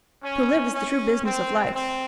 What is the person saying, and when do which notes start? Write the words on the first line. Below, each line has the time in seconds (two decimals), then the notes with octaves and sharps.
To live is the true business of life.
0.24 C#4
0.73 C#4
1.24 C4
1.74 C4